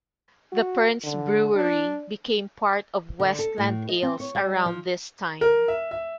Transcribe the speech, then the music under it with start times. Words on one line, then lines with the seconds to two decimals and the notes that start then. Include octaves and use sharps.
The Pearn's Brewery became part of Westland Ales around this time.
0.52 F#4
1.04 D3
1.55 D4
3.20 D3
3.39 A4
3.58 A2
3.89 D#5
4.03 C4
4.20 C#5
4.35 G3
4.66 F3
5.41 A#4
5.68 E5
5.91 E5